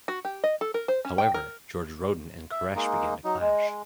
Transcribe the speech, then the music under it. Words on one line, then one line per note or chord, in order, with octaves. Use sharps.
However, George Roden and Koresh began to clash.
F#4
G4
D#5
A4
A#4
C5
C#4
G5
A#4
E5
G#3 A#3 D#4
F#3 D#4
G#3 D#5